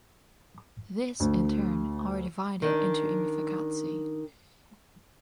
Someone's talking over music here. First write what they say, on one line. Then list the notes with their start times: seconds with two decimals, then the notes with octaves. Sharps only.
These, in turn, are divided into imiphakatsi.
1.20 D2
2.62 D#3 D4